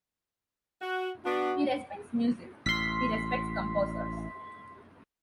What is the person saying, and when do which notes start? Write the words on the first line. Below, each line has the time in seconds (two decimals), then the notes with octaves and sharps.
He respects music, he respects composers.
0.82 F#4
1.25 B3 D4 F#4
2.66 A1 C6 B6